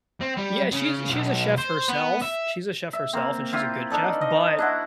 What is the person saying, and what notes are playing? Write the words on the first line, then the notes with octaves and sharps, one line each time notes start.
Yeah, she's she's a chef herself, she's a chef herself and she's a good chef, but,
C4
G3
C#3
B1
C5
B3
E5
E5
A#3 C4
E4 F4 G4
D4 D#4 A4 D5
D#5
D4 E4 F#4